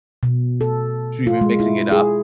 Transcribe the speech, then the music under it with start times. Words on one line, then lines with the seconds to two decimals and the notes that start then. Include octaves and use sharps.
so we've been mixing it up,
0.23 B2
0.61 A4
1.27 F4
1.41 G#3
1.60 E4
1.92 G#4